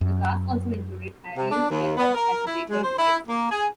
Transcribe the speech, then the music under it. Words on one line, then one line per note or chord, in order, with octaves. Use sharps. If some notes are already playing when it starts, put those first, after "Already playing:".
The cast also included Arielle Jacobs as The Bakers Wife.
F#2
C3
D4
D#2
B3
A#4
E4
G#3
C5
E4
A#3
G#4